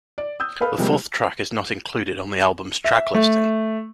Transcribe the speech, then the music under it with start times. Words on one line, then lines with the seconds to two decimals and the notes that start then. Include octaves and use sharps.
The fourth track is not included on the album's track listing.
0.18 D5
0.40 D#6 E6 G6
0.61 A4 B4 F5 B5 F6
0.78 C3 F3 G3 G#3 A#3
2.85 E5
3.14 A3